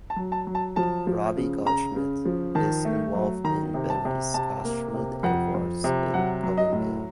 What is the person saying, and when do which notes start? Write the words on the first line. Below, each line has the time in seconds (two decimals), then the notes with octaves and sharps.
Rabbi Goldschmidt is involved in various Kashrut efforts in Colombia.
0.10 A5
0.16 F#3
0.32 A5
0.47 F#3
0.55 A5
0.76 F3 A5
1.07 F3
1.37 C#3
1.65 C#3 A#5
1.96 C#3
2.25 F3
2.55 D#3 A5
2.85 A3
3.15 F#3
3.44 D#3 A#5
3.74 C3
3.90 A5
4.05 C3
4.34 C3 A5
4.65 A#3
4.94 C3
5.23 F2 F#5
5.54 F2
5.84 C3
6.14 F#3 F#5
6.43 F#3
6.58 D#5
6.72 A2